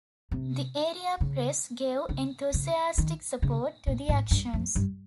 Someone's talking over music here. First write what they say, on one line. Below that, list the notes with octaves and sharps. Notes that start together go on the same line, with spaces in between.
The area press gave enthusiastic support to the actions.
C3
C#3
C#3
C#3
D#3
C#3
A#2
G#2
G2
F2
G2